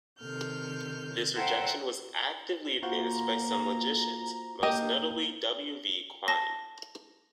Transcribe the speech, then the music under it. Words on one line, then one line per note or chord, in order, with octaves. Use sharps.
This rejection was actively advanced by some logicians, most notably W. V. Quine.
C3 D#3 A4 F6 G6
A4 C5 E5 F#5 G5 A#5
A#3 F4 F#4 C5 A#5
A#3 G4 D#5
A5 A#6